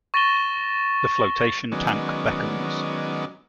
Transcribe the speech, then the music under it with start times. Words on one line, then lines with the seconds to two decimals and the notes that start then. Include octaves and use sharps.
The flotation tank beckons.
0.14 C#6 A6 A#6 D#7 E7 G7
1.72 D#3 F#3 G#3 B3 C#4 D5